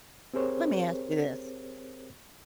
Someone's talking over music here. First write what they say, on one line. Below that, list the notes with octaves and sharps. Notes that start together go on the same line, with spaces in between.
Let me ask you this
C4 G4 G#4 A#4 C5 C#5